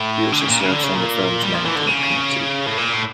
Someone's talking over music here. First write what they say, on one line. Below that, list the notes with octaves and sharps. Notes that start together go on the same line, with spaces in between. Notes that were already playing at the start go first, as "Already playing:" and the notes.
He also serves on the firm's Management Committee.
Already playing: A2
D3
C#3
A#2
C#3
D3
C#3
A#2
G3
F3
E3
D3
C#3
A2
A#2
A2